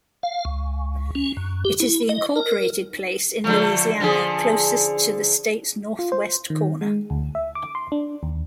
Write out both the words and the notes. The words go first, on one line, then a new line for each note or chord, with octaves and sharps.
It is the incorporated place in Louisiana closest to the state's northwest corner.
F5
C#2
C#4
F#2
G4
E4
D#5
A#4
D3 F3 A3
D3 F3 G#4
F4
C5
D#3
G#3
D2
E5
D6
C6
D4
D#2